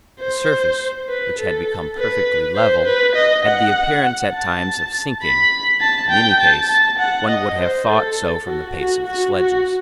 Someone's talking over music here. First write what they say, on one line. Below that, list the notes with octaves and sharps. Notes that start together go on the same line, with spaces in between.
The surface, which had become perfectly level, had the appearance at times of sinking; in any case, one would have thought so from the pace of the sledges.
C5
B4
A4
B4
C5
B4
D#5
F#5
A5
B5
A5
G5
A5
A5
F#5
D#5
C5
A4
F#4
F#4
F#4
F#4